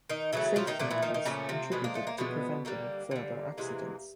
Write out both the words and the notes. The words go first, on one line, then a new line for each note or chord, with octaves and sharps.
Safety measures contributed to preventing further accidents.
D#3 D#4
C#3 E3 F#3 A3 E4
F3 F4
D#3 D#4
A#2 D3 F3 A3 D4
E3 E4
D#3 D#4
D#3 D#4
A#2 C#3 F3 A3 C#4
C3 C4
B2 D3 F3 G#3 B3
A#3
A3
A#3
B2 D3 F3 G#3 B3
D3 G3 A#3
D3 G3
C3 E3 G#3